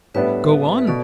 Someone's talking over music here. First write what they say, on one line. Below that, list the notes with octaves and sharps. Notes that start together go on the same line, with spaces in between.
"Go on."
A2 G3 B3 D4 B4 E5
B4
B2 A4 D5